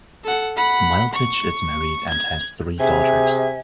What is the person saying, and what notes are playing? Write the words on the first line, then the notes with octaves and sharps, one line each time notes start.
Miletich is married and has three daughters.
A4 F#5
F#5 B5
C#6
G#6
C3 G#4 E5 G#5